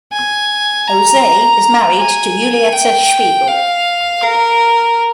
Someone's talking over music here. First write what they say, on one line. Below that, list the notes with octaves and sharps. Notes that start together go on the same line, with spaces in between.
Jose is married to Julieta Spiegel.
G#5
A#5
G#5
G5
F5
A#4